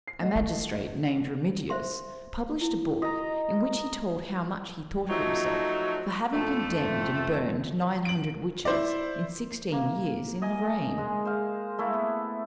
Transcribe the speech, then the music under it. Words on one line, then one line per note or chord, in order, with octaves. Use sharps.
A magistrate named Remigius, published a book in which he told how much he thought of himself for having condemned and burned nine hundred witches in sixteen years, in Lorraine.
C7
A3 D#5 F#5
E4
C5 E5 C6
E4
F#4 D#5 A#5
F3 F#3 A3 D#4 F#4
F2 A3
D7 F#7
E4 C5 D5
A#3
D#5 G#5
G#3
C5 F5
A3 A#3 E4
B3